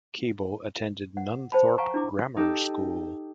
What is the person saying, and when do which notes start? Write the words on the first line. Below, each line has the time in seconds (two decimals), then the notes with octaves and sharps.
Cable attended Nunthorpe Grammar School.
1.17 F#5
1.52 C5 G5 A5 B5
1.78 F5 F#5 G#5 A#5 C#6
1.94 D4 E4 D6
2.37 D#4 G4 A4